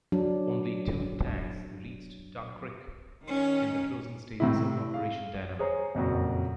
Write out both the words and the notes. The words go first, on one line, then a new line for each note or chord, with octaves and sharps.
Only two tanks reached Dunkirk in the closing stages of Operation Dynamo.
F#3 D4
D#3 C#4
A2 C3 E4
F5
G#4 C5 C#5 A#5
F#1 F2 A#2 F#3